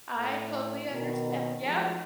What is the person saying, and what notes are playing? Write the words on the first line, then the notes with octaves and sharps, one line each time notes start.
I totally understand yep.
A2
B2 D#3
F3 F#3 G#3 A3 D#4 F#4